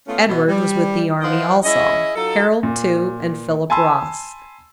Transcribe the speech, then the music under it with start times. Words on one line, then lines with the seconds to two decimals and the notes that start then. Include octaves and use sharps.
Edward was with the army also; Harold, too, and Philip Ross.
0.07 A3 B3 C#4 F4
0.26 B2 E3 D#5
0.48 G3
1.21 E3 F3 A#4 C5 D#5 F#5
1.63 C#4 E4 G#4 D#5
2.15 F#3 D#4 F4 A4
2.63 A#2
3.70 G#5 A5 B5 C6 E6